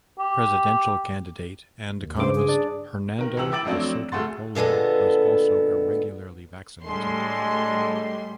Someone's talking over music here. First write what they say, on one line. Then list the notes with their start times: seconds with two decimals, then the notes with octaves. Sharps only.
Presidential candidate and economist Hernando de Soto Polar was also irregularly vaccinated.
0.19 G4
2.01 D#2
2.17 G2 C#3 C5 D6
2.35 G#4
2.48 D4 D5
3.19 D#3 A#4
3.37 C#2 E3 A#5 E6 F#7
3.52 E4 G5 D6 A6 D7 F#7
3.65 F2 F#3 A3 C4 D4
4.12 D2 A3 G#4 F#5 C6 A6
4.55 A#2 D3 G#3 B3 A4
6.85 A2 D3 G3 G#3 C6